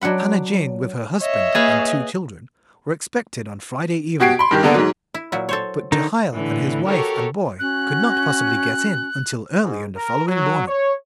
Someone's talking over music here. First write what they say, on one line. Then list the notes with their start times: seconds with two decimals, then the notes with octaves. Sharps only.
Hannah Jane, with her husband and two children, were expected on Friday evening; but Jehiel and his wife and boy could not possibly get in until early on the following morning.
0.01 F#3 D4 F#5 B5
1.20 C#5 D#5 E5
1.55 A#3 G#4 B4 F5
4.20 B2 F#4 G4 G#6 C7 D7
4.39 B5 C6
4.51 G2 D#3 G4
4.63 D3 A#3 B3 D4 A4 A#4
4.74 G#2 F#3
5.14 E4
5.32 A#2 F#3 E4
5.49 A4 C5 C#5
5.92 D3 D#3 D#4
6.33 A2 D3 E3
6.86 F#4 G4 A4 A#4 C#5
7.59 C#4 F#4 F#6
9.63 G#2
9.96 A#4
10.29 F#3
10.68 C#5